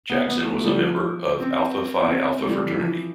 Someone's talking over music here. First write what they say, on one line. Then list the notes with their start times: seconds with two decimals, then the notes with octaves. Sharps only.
Jackson was a member of Alpha Phi Alpha fraternity.
0.10 B3
0.27 B3
0.43 A3
0.54 A3
0.64 G3
0.75 F3
1.40 C4
2.00 B3
2.06 C4
2.38 A3
2.46 G3
2.63 E3
2.72 F3
2.80 E3